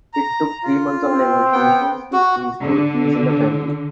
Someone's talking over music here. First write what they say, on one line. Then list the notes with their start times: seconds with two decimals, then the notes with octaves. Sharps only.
It took three months of negotiations to restore peace in the family.
0.14 A#5
0.63 F4
1.06 C4
1.52 B3 G5
2.13 F#4
2.62 D3